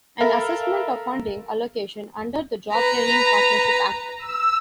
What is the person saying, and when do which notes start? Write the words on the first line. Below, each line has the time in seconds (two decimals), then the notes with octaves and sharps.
An assessment of funding allo- cation under the Job Training Partnership Act.
0.20 A4 A#4 E5 F5 A#5 B5
2.74 B4 A#5
4.18 E6